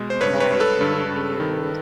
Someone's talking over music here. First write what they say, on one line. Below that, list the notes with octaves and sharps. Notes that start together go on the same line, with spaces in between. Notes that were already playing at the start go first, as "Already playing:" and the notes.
Mm, right, interviews.
Already playing: B2 G#3
C5
G2 B4 C#5
B4 C#5
G2
A4 B4
G2
G2
D#3